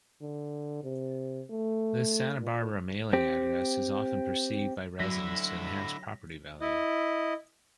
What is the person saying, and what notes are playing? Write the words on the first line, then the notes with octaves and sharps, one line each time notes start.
This Santa Barbara mailing address is often perceived by residents to enhance property value.
D3
C3
A3
A#2
C4 G4
D3 F#3 E4 A#6 B6
E4 D#5